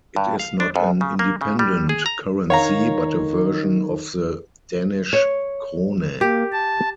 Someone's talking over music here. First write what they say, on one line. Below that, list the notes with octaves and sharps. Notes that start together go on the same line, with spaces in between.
It is not an independent currency but a version of the Danish krone.
G2
F5
D4
F2
C#3
A#3
C#3
G3
G#4
A#5
D#3 C#5 F5 A#5
C#5
A#3 G4
A5